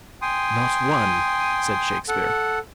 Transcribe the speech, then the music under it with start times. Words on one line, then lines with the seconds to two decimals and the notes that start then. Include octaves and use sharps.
"Not one," said Shakespeare.
0.22 G5 G#5 C6 D#6
2.08 A4 F#5